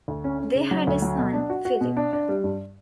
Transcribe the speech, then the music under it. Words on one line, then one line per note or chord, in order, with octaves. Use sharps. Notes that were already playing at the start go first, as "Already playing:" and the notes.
They had a son, Phillip.
D2
C#4
C#4
C#3
F#3
D2
F#3
B2
D4
F#4
F#4
B2
D4
D4
G3
G2